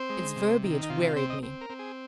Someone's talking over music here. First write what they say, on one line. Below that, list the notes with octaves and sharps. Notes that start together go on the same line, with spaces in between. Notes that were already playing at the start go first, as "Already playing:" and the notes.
Its verbiage wearied me.
Already playing: C4 C5
G#3
C3
D#3
D#4
C3 F4
F4
C4 C5
D#5
C4
A#4
C4
G#4